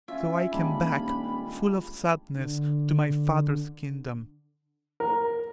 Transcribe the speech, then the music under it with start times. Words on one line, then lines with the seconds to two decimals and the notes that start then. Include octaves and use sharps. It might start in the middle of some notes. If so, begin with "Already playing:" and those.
So I came back, full of sadness, to my father's kingdom.
0.08 C#4 F4 E5
0.52 D#1 G3 G#3 D4 B5
2.37 D3
5.00 A#4